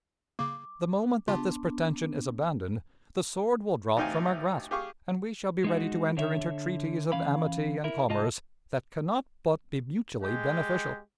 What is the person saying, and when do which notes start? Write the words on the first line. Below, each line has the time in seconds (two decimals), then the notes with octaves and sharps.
The moment that this pretension is abandoned, the sword will drop from our grasp, and we shall be ready to enter into treaties of amity and commerce that can not but be mutually beneficial.
0.39 C#3 A#3 D6
1.28 C#3 B3 D4 F4 G4 A5 C6
3.97 A1 D2 D#4 F5 G5 G#5
4.71 G4 G#4 F5 C#6 D6
5.64 G#3 D#4 F#4
6.17 D3 C#5 E5
7.12 E3 C#4 F5 B5
7.84 E4 A#4
8.09 C2 F4 D#5 A5
10.22 G#3 G4